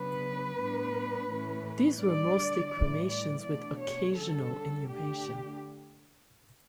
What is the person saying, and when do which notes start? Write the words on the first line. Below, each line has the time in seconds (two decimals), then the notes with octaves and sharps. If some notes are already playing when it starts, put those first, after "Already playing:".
These were mostly cremations, with occasional inhumation.
Already playing: C#3 F#3 B3 D4 B4
0.57 A2 G3 B3 D4
1.29 A2 E3 A3 C#4
2.01 D3 G3 D4 D5
2.72 A2 E3 G3 D5
3.09 D5
3.44 B2 A3 D4 D5
3.80 C#5
4.16 D3 G3 C#4 A4
4.89 D3 A3 D4 G4